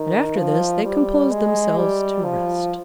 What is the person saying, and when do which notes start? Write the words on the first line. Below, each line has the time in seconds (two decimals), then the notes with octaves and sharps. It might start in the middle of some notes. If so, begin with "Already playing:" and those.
And after this they composed themselves to rest.
Already playing: D#3
0.37 F3
0.85 G3
1.31 G#3
1.78 G3
2.25 F3